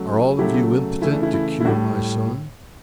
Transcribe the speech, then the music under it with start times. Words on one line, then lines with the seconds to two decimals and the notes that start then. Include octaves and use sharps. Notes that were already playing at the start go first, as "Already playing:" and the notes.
Are all of you impotent to cure my son?
Already playing: C#3 F#3 A3
0.38 C#3 F#3 A3 E4 G4
1.02 C#3 E3 A3 E4
1.12 D4
1.23 E4
1.34 E4
1.60 E4
1.65 A2 G3 D4 F#4